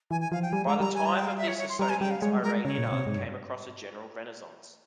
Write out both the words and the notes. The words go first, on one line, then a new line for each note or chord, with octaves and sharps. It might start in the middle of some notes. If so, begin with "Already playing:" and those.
By the time of the Sasanians, Iranian art came across a general renaissance.
E3 G#5
G#5
F3 F5
G5
G3 G#5
G#3 A#5
G3 A#5
G#5
A#5
G5
F5
E5
C#5
C#5
C6
G3 A#5
G#5
G3 G5
F5
G#3 C#5
G3
G#3 A#4
C#3 C#5
A#2
C3
G#2
G2